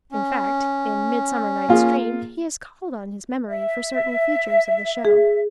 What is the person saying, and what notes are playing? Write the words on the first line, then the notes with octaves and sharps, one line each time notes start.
In fact, in "Midsummer Night's Dream" he has called on his memory for certain features of the show.
C#4
A#3 F4 G#4
E5
G#4